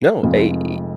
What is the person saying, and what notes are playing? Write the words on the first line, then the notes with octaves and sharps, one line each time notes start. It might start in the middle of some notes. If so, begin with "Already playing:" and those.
No, a th
F1 F2 F3 G#3